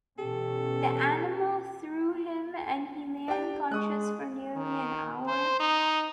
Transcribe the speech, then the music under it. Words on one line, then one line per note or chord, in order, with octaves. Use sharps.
The animal threw him and he lay unconscious for nearly an hour.
B2 E3 C#4 G4 A4
D4 G4 G5
G#3 C#6 D#6 F#6
D#3
C5
D#4